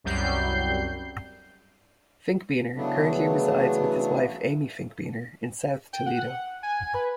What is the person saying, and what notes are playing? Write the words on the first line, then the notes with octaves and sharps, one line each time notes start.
Finkbeiner currently resides with his wife, Amy Finkbeiner, in South Toledo.
C2 F#2 F#3 G3 G6 C7
C#3 E3 F#3 A3 B3 D4
G5
F#5
G#5
B4